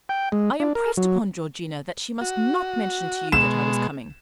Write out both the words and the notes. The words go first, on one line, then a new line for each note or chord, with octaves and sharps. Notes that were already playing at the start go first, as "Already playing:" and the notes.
'I impressed upon Georgina that she must not mention to you that I was coming.
G5
G#3
D4
A#4
F#3
F#4
B2 G#3 E7